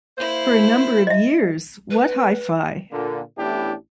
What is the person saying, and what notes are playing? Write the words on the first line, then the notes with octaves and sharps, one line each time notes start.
For a number of years, What Hi-Fi?
A#3 E4 C5
D#5 E5
B4
A#2 D3 A#3
A1 A2 B3 D4 E4 G4